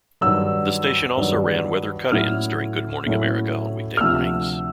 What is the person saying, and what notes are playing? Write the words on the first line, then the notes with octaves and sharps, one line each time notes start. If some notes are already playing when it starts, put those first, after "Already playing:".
The station also ran weather cut-ins during "Good Morning America" on weekday mornings.
G2 D#3 F#3 E6
G2 D#3 F#3
A2 F#3 A3 C#4 E4 F6
A2 F#3 A3 C#4 E4
F6
D2 C3 F3 E6